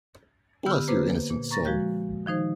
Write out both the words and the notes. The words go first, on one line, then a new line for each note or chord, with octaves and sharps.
Bless your innocent soul!
D3 B3 G4 E6 F6
A#3 B4 C5 D6
A#2
A#5 C#6 A6 A#6
F3 G#3 F#4 G6
D#3 F3 D#4 C5